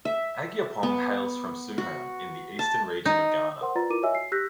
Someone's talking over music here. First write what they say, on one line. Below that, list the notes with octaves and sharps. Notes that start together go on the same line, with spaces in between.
Agyapong hails from suhum in the eastern region of Ghana.
E5
B3
F#4
A5
D#4
A#4 C5 F#5 C6
F4 B4 D5 A#5 A6
E4 F4 A#4 D6 D#7
F#4 C#5 D#5 E5 G#5 E6
C7
G4 E6 F#6 G6 A#6 B6